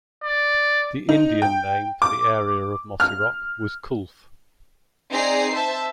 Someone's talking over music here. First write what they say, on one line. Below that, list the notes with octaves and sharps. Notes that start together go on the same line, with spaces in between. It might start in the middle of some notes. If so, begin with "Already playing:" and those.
The Indian name for the area of Mossyrock was "Coulph".
D5
D#4
G5
D6
F6
C4 D#4 G#4 D5 A#5 C7
C5 E5 A5